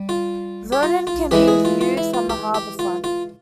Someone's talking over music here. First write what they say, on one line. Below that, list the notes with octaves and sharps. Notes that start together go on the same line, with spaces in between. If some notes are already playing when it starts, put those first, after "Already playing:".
Vernon, can be viewed from the harbor front.
Already playing: G3
F4
G4
F4
F4
E3 G#3 E4 G4
G#4
F4
F4
E4
F4
G4
G4
F4
F4